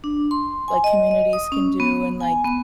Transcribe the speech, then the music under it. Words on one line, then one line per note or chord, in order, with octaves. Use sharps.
like, communities can do and, like,
D4
C6
G#5
D#5
D#5
D#6
C#4
B3
G#5
B3